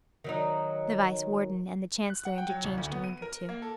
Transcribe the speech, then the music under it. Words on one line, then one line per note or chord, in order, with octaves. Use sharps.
The Vice-Warden and the Chancellor interchanged a wink or two.
D#3 F#3 D#4
F#6
F#5
G5
F#3
C2
D2
B3
D#7
A#4
A#3
A4